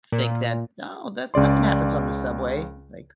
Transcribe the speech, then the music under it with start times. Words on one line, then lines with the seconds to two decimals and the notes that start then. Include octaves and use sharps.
think that, "No, that's nothing happens on the subway." Like,
0.12 A#2
1.34 C#2 C#3 D5 C6